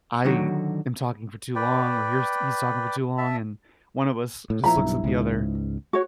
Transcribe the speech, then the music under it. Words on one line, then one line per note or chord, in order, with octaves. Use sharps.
I am talking for too long or here's he's talking for too long, and one of us just looks at the other,
D3 D#3 F#3 D#4 F#4
B4 D5 G5
E5 A5
A2
A#2 F3 E4 A#5 B5
B1 G2
C#2 G#2
F#4 C#5